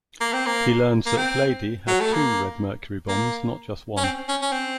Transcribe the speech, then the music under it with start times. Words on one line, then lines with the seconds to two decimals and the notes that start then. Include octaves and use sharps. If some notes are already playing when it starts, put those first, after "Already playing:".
He learns that Vlady has two Red Mercury bombs, not just one.
0.21 A#3
0.33 C4
0.46 A#3
1.06 A#3
1.17 C4
1.87 F#3
2.00 A3
2.13 A#3
3.08 A#3
3.97 C#4
4.04 C4
4.28 C#4
4.41 C#4
4.52 C4